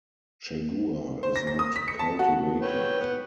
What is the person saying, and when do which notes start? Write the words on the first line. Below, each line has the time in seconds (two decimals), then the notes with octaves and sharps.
Chaguar is not cultivated.
1.23 C5
1.36 A#6
1.47 A#6
1.59 D#6
1.76 B6
1.88 C#7
1.99 A5
2.19 F#4
2.62 B4 C#5 G5
3.01 B3